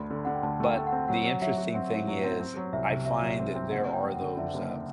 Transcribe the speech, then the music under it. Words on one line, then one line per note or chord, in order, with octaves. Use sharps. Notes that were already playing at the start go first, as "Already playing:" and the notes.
but the interesting thing is I find that there are those, uh,
Already playing: D2 D3 B5
D3
D3 F#5
G5
D2 A5
A3
G5
A3
F#5
C4
F#3 F#5
F#3
F#3 E5
F#4
C4 F#5
A2
F#3
C4
C4
F#3
C2 E5
C3
F#3 E5
F#3
C4
C4
F#1 F#5
F#1
G5
F#2
F#5
D3
D3 E5
F#1